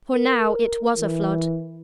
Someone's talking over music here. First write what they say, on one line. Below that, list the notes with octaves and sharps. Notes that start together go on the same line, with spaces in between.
For now it was a flood.
A#4
E3